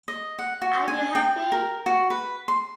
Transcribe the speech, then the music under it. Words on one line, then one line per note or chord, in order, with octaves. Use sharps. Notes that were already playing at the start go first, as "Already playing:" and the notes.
Are You Happy?
D#5
F#5
F#4
G#5
G5
A#4
F#4
B4
C6